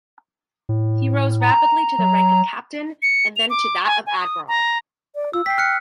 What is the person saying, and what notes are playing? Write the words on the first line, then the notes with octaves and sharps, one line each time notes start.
He rose rapidly to the rank of captain and then to that of admiral.
A2
A#5
F#3
C#7
F7
D6
G#5
G#5
D#6
A#5
D5
F4 E6
G5 B6 C7
F6 F#6 C#7